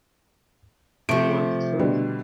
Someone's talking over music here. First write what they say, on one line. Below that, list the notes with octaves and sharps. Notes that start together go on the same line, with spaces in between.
You want the truth?
C3 F3 A3 D7
B2 D3 G3